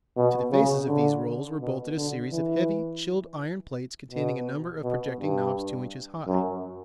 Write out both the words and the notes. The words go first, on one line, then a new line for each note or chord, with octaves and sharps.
To the faces of these rolls were bolted a series of heavy, chilled-iron plates containing a number of projecting knobs two inches high.
B2
C#3
D3
B2
D3
E3
B2
B2
G2
F#2